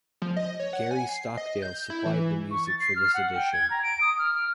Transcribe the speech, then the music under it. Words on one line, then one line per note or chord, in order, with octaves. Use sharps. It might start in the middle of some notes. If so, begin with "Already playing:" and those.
Gary Stockdale supplied the music for this edition.
F3
D#5
C#5
F#5
G#5
C7
D#5
G6
E4
E3
C#6
A6
C7
F6
F#5
G5
G#6
A#5
D7
D#6
F6
F6